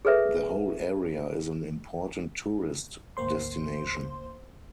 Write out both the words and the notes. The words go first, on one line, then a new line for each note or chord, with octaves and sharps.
The whole area is an important tourist destination.
G#4 A4 B4 E5
G#1 D2 A#3 C5 C6